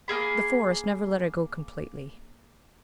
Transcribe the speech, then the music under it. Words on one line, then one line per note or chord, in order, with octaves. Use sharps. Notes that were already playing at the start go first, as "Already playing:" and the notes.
The Forest never let her go completely.
A#3 C4 G#4 B5